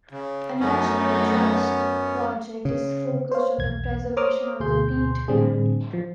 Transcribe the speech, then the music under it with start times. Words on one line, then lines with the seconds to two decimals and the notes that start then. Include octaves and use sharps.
A National Trust project is focused on the preservation of the peatland.
0.12 C#3
0.60 F#2 F#3 A3 B3 C#4 D#4
2.65 C#3
3.32 C5 C#5 F5
3.58 B1 E2 G#6
4.17 C5 C#5 A#5 D6 D#6 F6
4.60 D2 B2 G#4 C6 G6
5.28 A2 D3 G3 C4 D4 G#4
5.93 F3